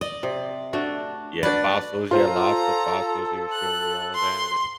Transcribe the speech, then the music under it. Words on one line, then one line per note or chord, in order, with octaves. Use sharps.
Yeah, fossils, yeah, lots of fossils, he was showing me all of that, and
D5 D#5
C3
A3 D4 F#4
D4 F#4 B4 D5
F4 A4 C5 F5 A#5
F#6
C6